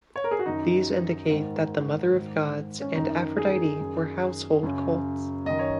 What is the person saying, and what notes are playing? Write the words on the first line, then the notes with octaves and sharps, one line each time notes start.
These indicate that the Mother of Gods and Aphrodite were household cults.
C#5
A#4
G#4
F#4
F#2 D#3 D#4
G#2 D#3
G#2 D#3
C#4
F#2 D#3 D#4
G#4
F#2 D#3
F#2 C#3
F#2 D#3 D#5
C#5